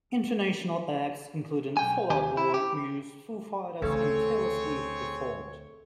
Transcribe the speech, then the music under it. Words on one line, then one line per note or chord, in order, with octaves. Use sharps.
International acts including Fall Out Boy, Muse, Foo Fighters and Taylor Swift performed.
B1 G5 G#5
D#2 G4 G#5
E4
G4
D2 C#3 E3 C4 G#4 A4 C#5